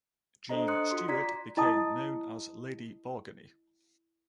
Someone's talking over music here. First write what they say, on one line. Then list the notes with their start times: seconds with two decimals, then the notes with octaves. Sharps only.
Jean Stewart became known as "Lady Bargany".
0.49 D4 A4 C5 D#5 A#5
0.68 C6 D#6 F#6 C#7
0.91 F4 F#4 C6
1.08 D5 A#5 G#6 B6
1.57 E4 D#5 A5 D#6